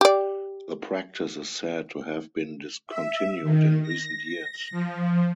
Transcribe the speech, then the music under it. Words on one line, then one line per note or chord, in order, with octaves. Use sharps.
The practice is said to have been discontinued in recent years.
G4 D5
E5
D#3
A#6
F3